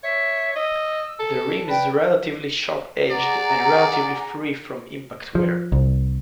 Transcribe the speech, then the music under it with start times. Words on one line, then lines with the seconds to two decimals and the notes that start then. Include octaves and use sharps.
The rim is relatively sharp-edged and relatively free from impact wear.
0.03 C#5 E5
0.56 D#5 E6
1.19 A4
1.68 B4 D5 G5
3.11 G#4 D5 F#5 A#5
5.35 F3
5.72 C2